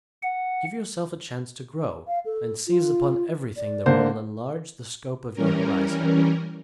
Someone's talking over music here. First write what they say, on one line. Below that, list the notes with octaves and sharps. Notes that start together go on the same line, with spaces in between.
Give yourself a chance to grow and seize upon everything that will enlarge the scope of your horizon.
F#5
F5
A4
F4
D5
D3 A#3 C5
E3 G3 C#4 A#4